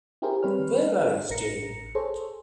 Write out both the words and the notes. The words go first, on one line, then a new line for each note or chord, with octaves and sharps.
Where are you staying?
E4 G4 G#4 A#4 C5
G3 C4 B4 C#5 F6
A1 A#4 A#6 C#7
G#4 A4 C5 C#5